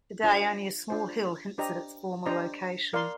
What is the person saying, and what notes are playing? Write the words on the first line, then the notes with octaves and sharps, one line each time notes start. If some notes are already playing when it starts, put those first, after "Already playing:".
Today, only a small hill hints at its former location.
D4 F4 C5
D4 F4 C5
D4 G4 C5 D#5 A#5
D4 G4 C5 D#5 A#5
A#4 D5 F5 C6